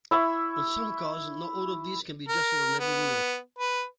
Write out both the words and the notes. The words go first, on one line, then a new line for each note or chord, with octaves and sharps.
On some cars, not all of these can be adjusted on every wheel.
E4 E5 C#6
A#4
B3
B4